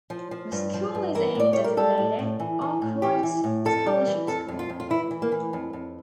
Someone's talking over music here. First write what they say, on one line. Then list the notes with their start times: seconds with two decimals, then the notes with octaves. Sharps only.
The school is a designated Arkwright Scholarship School.
0.10 F3
0.31 F3
0.52 G2
0.74 F3
0.95 G2
1.15 E3 A#4
1.35 A2 D5
1.53 G3 C#5
1.64 A#4
1.77 G3 A4
1.98 A2
2.19 A2
2.39 E3
2.61 E3
2.82 A2
3.02 E3 G4
3.23 E3
3.44 A2
3.65 F2 A4
3.86 G3
4.07 E3
4.27 F2 A4
4.48 F2
4.59 F4
4.69 F2
4.80 F4
4.90 E3 E4
5.11 E3
5.22 A#3
5.32 E3
5.53 F2
5.73 F2